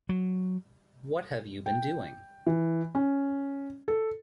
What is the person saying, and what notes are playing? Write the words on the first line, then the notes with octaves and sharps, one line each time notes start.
What have you been doing?
F#3
G5
E3
C#4
A4